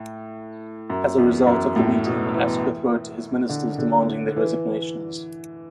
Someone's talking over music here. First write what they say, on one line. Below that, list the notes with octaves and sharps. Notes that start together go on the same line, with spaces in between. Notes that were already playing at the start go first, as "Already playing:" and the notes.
As a result of the meeting Asquith wrote to his ministers demanding their resignations.
Already playing: A2
F#2
E2
F#2
A2
B2
E3
D3
D3
E3